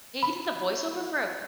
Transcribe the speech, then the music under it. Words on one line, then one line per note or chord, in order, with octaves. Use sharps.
He he did the voiceover for a
B5